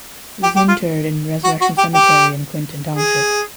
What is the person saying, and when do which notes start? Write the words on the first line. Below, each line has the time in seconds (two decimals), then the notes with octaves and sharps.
He was interred in Resurrection Cemetery in Clinton Township.
0.43 G4
0.56 G4
0.68 F4
1.44 F#4
1.61 F#4
1.78 G4
1.94 G4
2.95 G#4